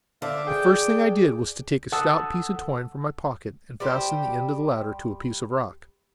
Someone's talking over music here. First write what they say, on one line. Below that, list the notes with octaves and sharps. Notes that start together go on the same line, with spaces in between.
The first thing I did was to take a stout piece of twine from my pocket and fasten the end of the ladder to a piece of rock.
D3 D4 C5 D5 E5 F5
G#4 G5
A4 F#5 A5 D#6 E6
G3 G4 C5